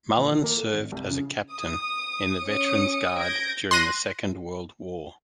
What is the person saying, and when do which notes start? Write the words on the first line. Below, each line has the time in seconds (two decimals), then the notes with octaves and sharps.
Mullin served as a captain in the Veterans Guard during the Second World War.
0.17 A#2
0.31 D#3
0.44 A#3
0.57 A4
0.73 G#1
0.92 C2
1.11 C#3
1.49 D#6
2.45 C#4 D#6 C#7
3.16 G6 G#6 A#6 D7
3.71 C6 F#6 A#6 D#7